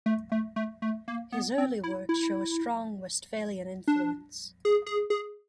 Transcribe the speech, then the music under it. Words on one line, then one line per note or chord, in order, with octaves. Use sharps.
His early works show a strong Westphalian influence.
A3
A3
A3
A3
A#3
B3
C4
E4
E4
D4
G#4
G#4
G#4